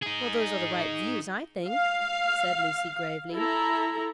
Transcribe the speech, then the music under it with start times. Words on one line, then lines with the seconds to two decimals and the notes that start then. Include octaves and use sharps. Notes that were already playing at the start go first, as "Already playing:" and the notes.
"Well, those are the right views, I think," said Lucy, gravely.
0.02 D#4 G#4
1.69 F5
3.33 E4 A4 A#5